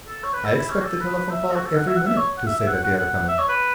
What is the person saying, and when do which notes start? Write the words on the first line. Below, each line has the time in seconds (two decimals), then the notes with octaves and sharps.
I expect a telephone call every minute to say that they are coming.
0.08 A4
0.23 C#5
0.34 B4
0.44 A4
0.54 E4
0.69 C#4
0.80 F#4
0.84 A4
1.00 B4
1.15 B4
1.30 E5
1.46 E5
1.51 A4
1.55 F#4
1.66 A4
1.76 F#5
1.87 E5
1.96 F#5
2.06 E5
2.17 C#5
2.37 F#5
2.47 E5
2.57 E5
2.67 F#5
2.83 F#5
2.98 F#5
3.28 E5
3.39 C#5
3.48 B4